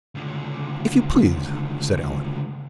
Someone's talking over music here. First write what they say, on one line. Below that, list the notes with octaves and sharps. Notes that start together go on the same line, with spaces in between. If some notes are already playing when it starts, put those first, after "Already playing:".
"If you please," said Allan.
C#2 D3